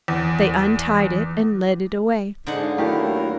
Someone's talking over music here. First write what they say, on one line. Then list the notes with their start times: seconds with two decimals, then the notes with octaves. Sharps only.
They untied it, and led it away.
0.08 E2
2.47 G#2 D3 D#4 F#5
2.64 F5
2.78 D#2 F#3 A3 E4 G4 A#4 F5